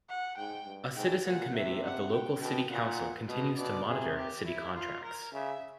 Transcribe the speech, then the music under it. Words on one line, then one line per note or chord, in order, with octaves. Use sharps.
A citizen committee of the local city council continues to monitor city contracts.
F#5
G#2 G5
G2
G#2 G5
A#2 F#5
C3 E5
F#5
G5
B2 G5
A#2 F#5
B2 D#5
B2 D5
C3 G#4
G4
E4
F4
A#4
C#3 E5